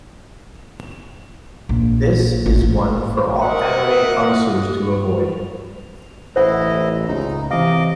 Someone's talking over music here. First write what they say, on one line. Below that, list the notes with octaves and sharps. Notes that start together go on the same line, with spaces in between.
This is one for all anime connoisseurs to avoid.
A#1
A1
A#4 D#5 E5 F#5
A1 E4 C5 D#5 F#5
C#2 D#4
C3 E3 D#5 F5 D6